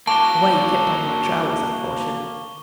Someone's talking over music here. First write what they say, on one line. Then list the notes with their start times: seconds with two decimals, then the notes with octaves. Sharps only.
"The way you kept on my trail was a caution."
0.07 A#3 F#4 A5 C#6 D6 G7